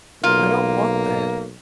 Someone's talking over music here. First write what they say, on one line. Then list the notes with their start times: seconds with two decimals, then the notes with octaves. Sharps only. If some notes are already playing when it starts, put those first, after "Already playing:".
I don't want that.
0.24 B1 A#3 F4